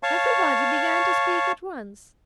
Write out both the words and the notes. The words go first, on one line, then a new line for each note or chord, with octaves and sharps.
Everybody began to speak at once.
C#5 F5 A5 C#6